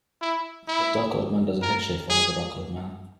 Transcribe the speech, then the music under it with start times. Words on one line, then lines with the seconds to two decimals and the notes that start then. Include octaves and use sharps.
A dark colored man does a head shave for another dark colored man.
0.21 E4
0.68 E4
1.62 A#4
2.10 G#4